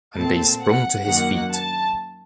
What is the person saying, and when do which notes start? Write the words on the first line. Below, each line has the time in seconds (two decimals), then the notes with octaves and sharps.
And they sprung to his feet.
0.15 A#2 A3 C4 A5
0.61 F#5
1.06 F#2 D#3 A#3 F#5
1.52 A5